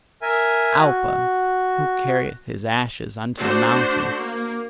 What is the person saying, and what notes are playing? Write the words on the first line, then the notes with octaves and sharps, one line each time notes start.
Alpa! who carrieth his ashes unto the mountain?
A#4 E5 G#5
F#4
A3 D4 F#4 C5
A#3